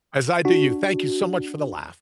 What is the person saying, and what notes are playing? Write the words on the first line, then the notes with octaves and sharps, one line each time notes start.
As I do you, thank you so much for the laugh.
D4 F#4